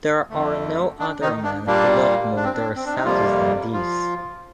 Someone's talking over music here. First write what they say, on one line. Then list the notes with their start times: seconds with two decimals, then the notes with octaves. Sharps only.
There are no other men who love more their status than these.
0.30 F2 D3 A3
0.99 D4
1.21 D#3 D#4
1.43 D4
1.67 A#2 G3 A#3 D4
2.36 D4
2.44 C4
2.53 D4
2.75 C4
2.86 D4
2.95 D#4
3.04 F2 C3 F3 G3 A#3 F4
3.73 F3 F4